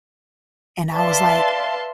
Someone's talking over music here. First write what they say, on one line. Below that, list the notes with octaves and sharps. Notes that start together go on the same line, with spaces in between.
And I was like,
B4 D5 E5 F5 A5 C6